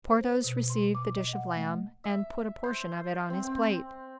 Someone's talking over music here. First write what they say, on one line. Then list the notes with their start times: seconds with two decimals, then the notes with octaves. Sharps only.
Porthos received the dish of lamb, and put a portion of it on his plate.
0.10 C5
0.44 B2
0.70 C6
0.95 D6
1.17 D#5
1.33 F#5
1.56 A3
2.04 E5
2.64 C5
3.30 C4
3.44 C4